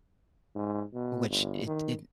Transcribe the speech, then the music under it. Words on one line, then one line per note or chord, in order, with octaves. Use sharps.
which it it
G#2
B2
G1
D#3